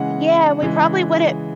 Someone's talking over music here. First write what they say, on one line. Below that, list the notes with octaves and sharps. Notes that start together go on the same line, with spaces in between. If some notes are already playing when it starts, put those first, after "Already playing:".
Yeah, we probably wouldn't
Already playing: C#3 E3 G#3 F#5
C#3 E3 G#3